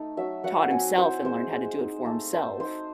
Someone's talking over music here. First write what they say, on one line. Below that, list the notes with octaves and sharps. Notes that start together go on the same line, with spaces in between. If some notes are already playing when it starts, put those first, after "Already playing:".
taught himself and learned how to do it for himself.
Already playing: A3 D#4
F#3 E5
F#3 F#5
C4 G#5
E4 C5
G#3 C5
G#3
D#4
A3
A3 C5
D#4 C5